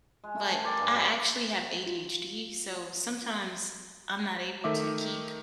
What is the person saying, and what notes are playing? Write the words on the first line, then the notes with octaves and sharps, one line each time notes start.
but I actually have ADHD, so sometimes I'm not able to keep
G#3
A3
G#5
A#4 C5 D5 G5
G2 G#5
F#3 G3 C4
F4
D#3 A3 E5 D6